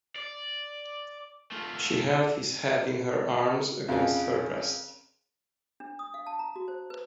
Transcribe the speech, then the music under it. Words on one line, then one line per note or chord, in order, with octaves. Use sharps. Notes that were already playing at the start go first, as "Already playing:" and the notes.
She held his head in her arms against her breast.
D5
A3 F4
F2 C#3
D4
D#6
F5
A5
A#5
F#4
C5
B4